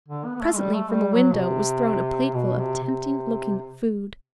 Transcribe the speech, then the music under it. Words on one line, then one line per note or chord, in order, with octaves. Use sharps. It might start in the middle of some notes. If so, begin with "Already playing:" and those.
Presently from a window was thrown a plateful of tempting-looking food.
D3
B3
B3
A3
G3
A3
G3
F#3
B2
C3
B2
C3
C3